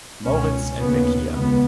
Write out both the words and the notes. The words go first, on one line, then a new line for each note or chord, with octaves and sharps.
Moritz and Bequia.
C#2 B2 C#4
D#2 C#3 B3
C#2 B3